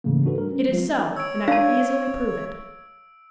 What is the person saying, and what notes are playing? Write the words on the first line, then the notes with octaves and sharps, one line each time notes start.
It is so, and I can easily prove it.
G#2 C#3 E3 A3 A#3
D4 F#4 A4 B4
G3 A#4
C#4
F3 F#3 G#3 F4
C#5 E6 D7
D4 F5 A5